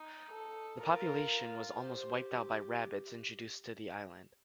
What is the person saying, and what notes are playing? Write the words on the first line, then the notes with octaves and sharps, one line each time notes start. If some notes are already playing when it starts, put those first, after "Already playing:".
The population was almost wiped out by rabbits introduced to the island.
Already playing: D#4
A4
F4 A#4
G4 C5